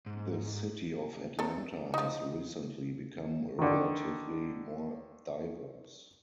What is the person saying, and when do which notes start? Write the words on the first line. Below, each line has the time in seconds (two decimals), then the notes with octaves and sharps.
The city of Atlanta has recently become relatively more diverse.
0.06 G#2
1.39 C4 A4 A#4
1.94 F3 D#4
3.59 D3 D#3